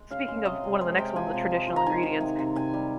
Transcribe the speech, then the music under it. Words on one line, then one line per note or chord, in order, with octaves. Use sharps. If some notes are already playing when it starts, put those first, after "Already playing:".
speaking of one of the next ones, the traditional ingredients.
Already playing: G#3
C#3 F5
G#3
C3 D#5
C3
G#3 C5
C3 G5
F3 G#5
C3
G#3
F3
A#5
D#3 G#5
D#3
C3
C3
C3 G#5
G3